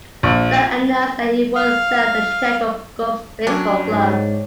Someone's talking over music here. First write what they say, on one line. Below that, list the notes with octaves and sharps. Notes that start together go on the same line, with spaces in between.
Zell announced that he would sell the Chicago Cubs baseball club.
A#1
F5
F#3 C#4 D4 G5 C#6 G#6
G#2 C#5 D5 A5